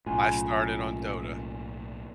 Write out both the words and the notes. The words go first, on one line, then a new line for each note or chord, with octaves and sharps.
I started on Dota.
B1 A2 C#4 F4 G#5